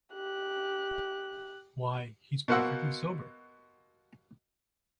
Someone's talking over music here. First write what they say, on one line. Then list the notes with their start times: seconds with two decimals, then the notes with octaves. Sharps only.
Why, he's perfectly sober.
0.14 G4 F#6
2.48 B2 A#3 F#4 C5 F#5 E6